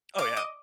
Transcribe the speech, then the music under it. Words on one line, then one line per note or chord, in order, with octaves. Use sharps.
Oh, yeah,
F5 D6
D#5